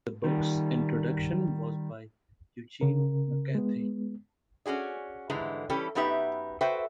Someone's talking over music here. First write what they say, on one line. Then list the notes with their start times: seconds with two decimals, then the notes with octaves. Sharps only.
The book's introduction was by Eugene McCarthy.
0.24 D#3 G3
2.81 C#3 A#4
3.55 G#3 B3
4.66 C#4 F#4 G#4 D5
5.30 G#2 D3 E3 G3 G#3
5.70 E3 G3 C#4 G4 A4
5.95 F#2 B3 D#4 G4 B4 E5
6.61 F#4 A4 B4 C5 E5 G5